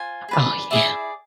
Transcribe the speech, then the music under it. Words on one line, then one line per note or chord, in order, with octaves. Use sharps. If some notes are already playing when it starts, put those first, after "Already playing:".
Oh, yeah
Already playing: F4 C5 G#5
G#4 B4 D5
E4 G#4 D5 E5